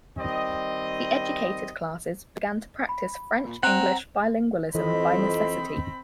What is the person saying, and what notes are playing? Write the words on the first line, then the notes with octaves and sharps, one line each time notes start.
The educated classes began to practice French-English bilingualism by necessity.
D#3 G3 C4 D#5
B5
A#2
C4 F#5 A#5 F#6
F2 E3 C4 D#5 B5